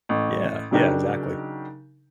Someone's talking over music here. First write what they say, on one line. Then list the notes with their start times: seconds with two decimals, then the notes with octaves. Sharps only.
Yeah, yeah, exactly.
0.09 A1
0.71 C#3 F#3 D4 D#4 G4 A#4